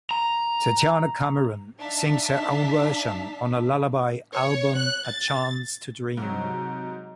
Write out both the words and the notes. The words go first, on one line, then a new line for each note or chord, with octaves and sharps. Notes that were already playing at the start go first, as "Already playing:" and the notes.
Tatiana Cameron sings her own version on her lullaby album "A Chance to Dream".
A#5
D4 D#4 E5 F5 A5 B6
C#5
F#6
A6
G#2 C3 F#3 D#4